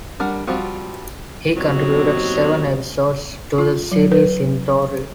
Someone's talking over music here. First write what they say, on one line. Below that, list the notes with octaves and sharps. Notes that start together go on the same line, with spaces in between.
He contributed seven episodes to the series in total.
G3 D4 A#4 F#5
F3 G3 C4 F4 F#4
D#2 B2 F#3 C4 D#5
F4
F#3
B4